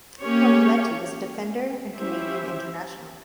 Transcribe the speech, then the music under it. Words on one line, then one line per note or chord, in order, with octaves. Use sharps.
Tony Lecce was a defender and Canadian international.
A#3 C#4 G4 C#5
C#4 E4 G4 C5 E5